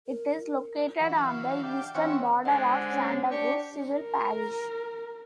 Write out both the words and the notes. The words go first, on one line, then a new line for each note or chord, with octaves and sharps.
It is located on the eastern border of Santa Cruz civil parish.
A#4
E3 F#3
F5
D4 G4
E3 C4 C#4 C#5 F#5
D3 G#3 C5 D#5 F#5
C#4
D4 G4 C#6
A#4